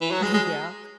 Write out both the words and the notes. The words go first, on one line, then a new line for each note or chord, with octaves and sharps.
Y yeah,
E3
F#3
G#3
G#3